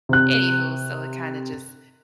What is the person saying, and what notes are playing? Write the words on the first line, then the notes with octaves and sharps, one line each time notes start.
anywho, so, it kinda just
C3 F#6